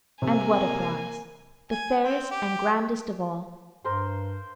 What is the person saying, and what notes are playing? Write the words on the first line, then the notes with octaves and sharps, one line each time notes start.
And what a prize, the fairest and grandest of all!
C3 A#3 G#5
G#5
C4
G4
G2 A#4 C5 C6